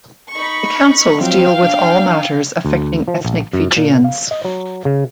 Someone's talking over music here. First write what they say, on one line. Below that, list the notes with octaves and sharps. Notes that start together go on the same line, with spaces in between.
The councils deal with all matters affecting ethnic Fijians.
D#4 B5 C#6
F3 F#3 C4 F5 G5
D4
D2
F3
A#1
F#2
A#2
F5
D#5
F#3
C#3